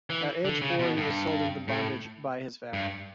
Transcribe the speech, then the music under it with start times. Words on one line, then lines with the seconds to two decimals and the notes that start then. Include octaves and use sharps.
At age four, he was sold into bondage by his family.
0.10 E3
0.45 D3
0.62 C#3
0.79 B2
0.97 G2
1.68 A2
2.73 G2